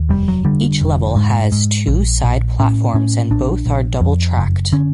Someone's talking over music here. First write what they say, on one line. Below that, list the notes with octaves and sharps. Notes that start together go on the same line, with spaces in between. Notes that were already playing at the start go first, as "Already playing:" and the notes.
Each level has two side platforms and both are double tracked.
Already playing: D#2
F1 G3
F#3
D3 G3
F1
G#2 G#3
G#2
A#1
A#1
A2 C#4
A2 C#4
A#1 D4
A#1
F2
F#1
D3 C#4